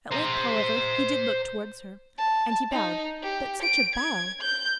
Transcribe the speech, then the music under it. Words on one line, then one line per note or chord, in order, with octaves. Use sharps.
At length, however, he did look towards her, and he bowed--but such a bow!
C5 A#5
A5
D#4
G4
D7
G#6
G6